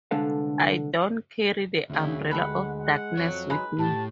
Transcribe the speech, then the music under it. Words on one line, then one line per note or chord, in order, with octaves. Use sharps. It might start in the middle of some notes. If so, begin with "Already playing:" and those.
I don’t carry the umbrella of darkness with me.
C2 D3 G#3 A4 B4 F5
D2 C#3 E4 F#4
G#3 G4 A4 B4 F#5
F#5
F2 F#4 C#5
G#3 D#4 B4
A2 G4 A5